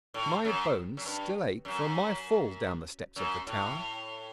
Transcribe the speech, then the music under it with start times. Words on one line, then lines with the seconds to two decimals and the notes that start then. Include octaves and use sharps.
My bones still ache from my fall down the steps of the tower.
0.14 A2
0.45 F#2
0.97 F#2
1.05 G2
1.65 F#2
3.16 F#2
3.47 A2